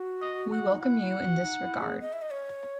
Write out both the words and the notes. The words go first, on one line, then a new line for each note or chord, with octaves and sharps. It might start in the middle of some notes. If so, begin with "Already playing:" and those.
We welcome you in this regard.
Already playing: F#4
D#5
F#5
D#4
E4 F#5
E4
F#4
D#4
E4
G#4
D#5
E5
D#5
C#5